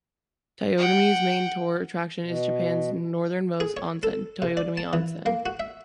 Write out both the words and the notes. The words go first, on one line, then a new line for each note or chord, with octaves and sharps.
Toyotomi's main tourist attraction is Japan's northernmost onsen, Toyotomi Onsen.
F#5 G5
B2
G#4
C#5
A4
C3
D5
A5
E3
A#3
F#4
E5